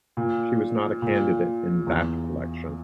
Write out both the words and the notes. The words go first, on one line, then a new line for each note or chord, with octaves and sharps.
She was not a candidate in that election.
A#2
A#2
E2